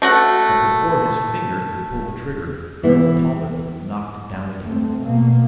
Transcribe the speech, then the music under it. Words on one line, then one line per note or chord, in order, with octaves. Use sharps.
But before his finger could pull the trigger Colonel Talbot knocked it down again.
A3 F#4 F#5
E3 B3
A3 C4
B2 A#3